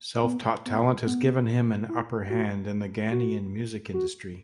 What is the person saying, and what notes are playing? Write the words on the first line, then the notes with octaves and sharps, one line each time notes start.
Self taught talent has given him an upper hand in the Ghanaian music industry.
B3
B3
B3
E4
F#4
F#4
F#4